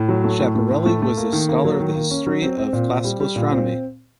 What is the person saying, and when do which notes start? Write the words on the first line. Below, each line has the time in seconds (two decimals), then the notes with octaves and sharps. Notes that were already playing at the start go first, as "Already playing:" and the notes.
Schiaparelli was a scholar of the history of classical astronomy.
Already playing: A2
0.09 F#3
0.24 A3
0.39 A2
0.55 A3
0.71 A2
0.86 A3
1.02 A3
1.17 A#3
1.33 D#3
1.49 A#3
1.65 F#3
1.80 D#3
1.95 A#3
2.11 C#4
2.26 F#3
2.42 C4
2.58 C4
2.73 A#2
2.88 C4
3.04 G3
3.20 G3
3.36 A#2
3.51 C4